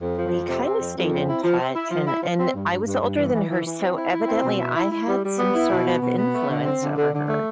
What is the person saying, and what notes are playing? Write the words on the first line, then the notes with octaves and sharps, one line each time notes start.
we kinda stayed in touch, and and I was, uh, older than her, so evidently, I had some sort of influence over her,
F2
F3
F2
C3
C4
F2
F2
C4
E4
F3
C4
E4
F3
E4
F3
C4
G2
G2
G2
G2
E3
E3
E3
E3
C4
E4
E4
C4
B2
E4
E4
E4
G3
G3
B3
E4
B2
B3
B2
B3
A3
D3
C4
D3
D3
D3
A3